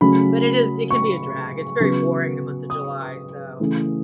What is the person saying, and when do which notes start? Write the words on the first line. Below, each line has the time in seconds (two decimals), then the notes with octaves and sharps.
but it is it can be a drag, it's very boring in the month of July, so
0.01 C#3 F#3 A3 C#4 B5
0.90 C#6
1.80 C#3 F#3 B3
2.70 D#6
3.60 C#3 E3 A3